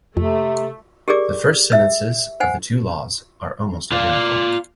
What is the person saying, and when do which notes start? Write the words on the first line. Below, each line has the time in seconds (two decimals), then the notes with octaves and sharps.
The first sentences of the two laws are almost identical.
0.17 F2 C3 A3
1.08 G4 G#4 A#4 D5 D6
1.72 E5 E6
2.40 C5 F#5 G#5
3.92 F4 D5 F5